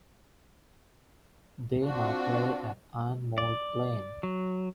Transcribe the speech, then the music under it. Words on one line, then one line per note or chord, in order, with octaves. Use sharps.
They now play at Ironmould Lane.
C4 D4 F4 F#4
D5
F#3